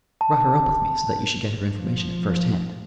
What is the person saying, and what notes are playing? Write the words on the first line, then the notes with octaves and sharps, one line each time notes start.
I brought her up with me, so that you should get her information at first hand.
A5
F3